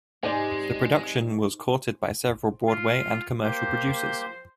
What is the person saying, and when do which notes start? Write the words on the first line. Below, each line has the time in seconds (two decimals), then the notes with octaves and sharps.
The production was courted by several Broadway and commercial producers.
0.23 G#2 C3 G#3 D#4 G4 C5 D5 G#5
2.68 F4
3.43 A#3 G4 C5 G6